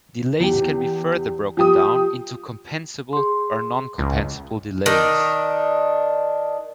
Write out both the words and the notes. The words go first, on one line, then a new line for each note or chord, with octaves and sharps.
Delays can be further broken down into compensable or non-compensable delays.
E2 G4
F3 G4 D#6
G#4 C6
C#2
D#3 D4